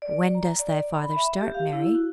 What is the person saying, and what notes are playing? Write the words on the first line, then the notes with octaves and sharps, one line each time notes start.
"When does thy father start, Mary?"
D5
A#5
D5
B5
E5
G4
F5
E4
F#4